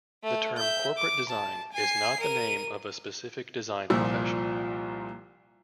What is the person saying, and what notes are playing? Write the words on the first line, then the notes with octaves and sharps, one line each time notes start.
The term 'corporate design' is not the name of a specific design profession.
A3
E5 G6
D6
A5
G#5 C7
A#4 D#7
C2 A#2 F3 E6